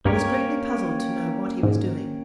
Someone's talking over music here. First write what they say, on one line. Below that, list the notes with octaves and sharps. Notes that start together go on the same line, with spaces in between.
I was greatly puzzled to know what he was doing.
G2 A#3 C#4 G4 A#4 C#5
G#2